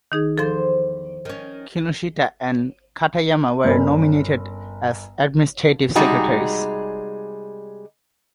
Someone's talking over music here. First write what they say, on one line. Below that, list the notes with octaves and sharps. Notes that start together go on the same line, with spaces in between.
Kinoshita and Katayama were nominated as administrative secretaries.
D#3 D#4 G#4
E2 F3 A4 C5
D#3 C#4
G1 C#4 A#4 B5
C3 G3 G#3 D#4 F#4 G#4